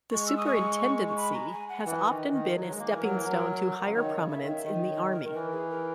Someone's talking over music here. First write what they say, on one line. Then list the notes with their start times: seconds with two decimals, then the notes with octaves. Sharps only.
The Superintendency has often been a stepping stone to higher prominence in the Army.
0.11 G#3 C#6
0.27 E6
0.37 D#6
0.46 C#6
1.08 C#6
1.16 B5
1.33 A#5
1.52 G#5
1.69 F#5
1.86 E3 B4
2.09 D#3
2.33 D#3
2.56 F#3
2.71 G#3
2.79 A#3
2.91 E3 A#4
3.02 F#3
3.15 E3
3.25 F#3
3.87 C#3
3.95 D#3 C#5
4.18 C#3
4.30 E5
4.42 D#3
4.57 E5
4.65 D#3 D#5
4.88 C#5
5.11 A#4
5.25 D#3
5.34 E3 A#4
5.52 G#4
5.70 A#4